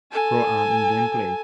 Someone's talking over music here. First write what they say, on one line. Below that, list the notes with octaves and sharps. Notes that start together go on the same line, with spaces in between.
Pro-Am in gameplay.
A4 G#5